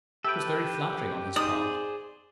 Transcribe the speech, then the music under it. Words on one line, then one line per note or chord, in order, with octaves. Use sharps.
It was very flattering on his part.
G4 A4 B4 E5 G5
D#4 G#4 C5 D5 D#6